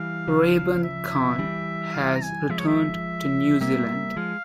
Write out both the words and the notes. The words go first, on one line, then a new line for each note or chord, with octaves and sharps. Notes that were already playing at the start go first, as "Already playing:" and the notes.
Raybon Kan has returned to New Zealand.
Already playing: E3 G3 F5
C#3 F3
E5
E3 G3
F5
A#5
G#5
F3 G#3 E5
C#5
E5
G3 A#3 E5
F3 G#3 F5